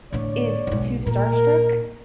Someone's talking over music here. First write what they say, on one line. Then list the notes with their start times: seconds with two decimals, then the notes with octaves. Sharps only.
is too starstruck
0.13 A2 D3 C#5 D5
0.67 B1 G#2
1.07 A#2 A#4